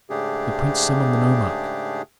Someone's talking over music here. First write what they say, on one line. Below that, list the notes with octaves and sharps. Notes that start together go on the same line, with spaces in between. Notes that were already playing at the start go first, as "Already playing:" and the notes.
The prince summoned the nomarch.
G#2 C#3 A3 D4 G4 G#4